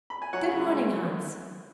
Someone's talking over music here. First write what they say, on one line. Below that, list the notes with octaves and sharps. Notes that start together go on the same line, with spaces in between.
'Good morning, Hans.
B5
G#5
F#3 C#5 F#5
C#3
C#2